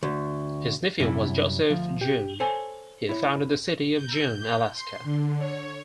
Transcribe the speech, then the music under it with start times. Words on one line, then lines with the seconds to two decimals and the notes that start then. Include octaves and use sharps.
His nephew was Joseph Juneau, who founded the city of Juneau, Alaska.
0.03 D2
1.00 F#2 C3 G3 E4
1.70 D2 F3
2.01 G4
2.40 A4 C5 C#5 G#5
3.09 E4 C#5
3.94 G6
4.73 C6
5.04 D3
5.38 C#5